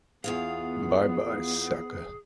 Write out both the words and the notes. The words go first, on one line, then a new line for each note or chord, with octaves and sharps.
Bye-bye, sucker!
E2 B3 F4 G#4 F5